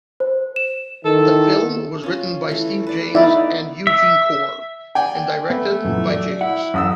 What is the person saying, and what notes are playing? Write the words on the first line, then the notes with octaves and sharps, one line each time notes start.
The film was written by Steve James and Eugene Corr, and directed by James.
C5
E7
D#3 E3 A4
C#4 F4
E3 A3
B4 D5
B3 D#4 E4 D5 E5
E5
D5 G5 G#5
A3 B3
F#2 A#2 E3
F#3 D5
E4 F#5
A1 F#2 D#6 E6